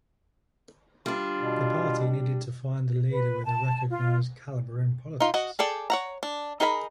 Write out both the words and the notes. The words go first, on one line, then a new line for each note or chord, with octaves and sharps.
The party needed to find a leader with a recognised calibre in politics.
G3 D4 F4
B2
B4
A5
F4
D#4 F4
F#4 D#5 F#5
G#4 A4 D5 G5
C#5 F#5 A#5
D4
D#4 G#4 A#4 G#5 B5